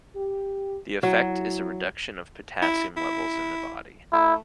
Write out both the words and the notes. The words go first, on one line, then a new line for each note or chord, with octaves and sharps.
The effect is a reduction of potassium levels in the body.
G4
F#3 E4
E4
E4
A3 E4